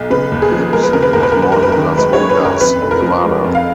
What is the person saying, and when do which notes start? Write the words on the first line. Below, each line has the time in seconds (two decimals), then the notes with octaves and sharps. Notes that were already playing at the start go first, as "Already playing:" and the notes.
Gibson was born in Las Vegas, Nevada.
Already playing: B1
0.10 C#3 B4
0.32 D#2
0.42 G#4
0.51 F3
0.73 G#3 A#4
0.83 B4
0.93 C#3 A#4
1.02 B4
1.13 D#2 A#4
1.23 B4
1.32 F#2 A#4
1.42 B4
1.52 F#1 A#4
1.62 B4
1.72 D#3 A#4
1.98 G#3 B4
2.13 C#5
2.19 F#2
2.30 B4
2.40 F#1
2.45 A#4
2.60 F2 B4
2.81 F1
2.91 A#4
3.02 F3
3.23 G#3
3.44 F2
3.55 F5